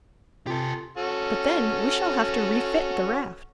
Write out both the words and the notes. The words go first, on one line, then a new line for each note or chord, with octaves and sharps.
"But then we shall have to refit the raft."
C3 F4 G4 A4
C#4 F#4 A4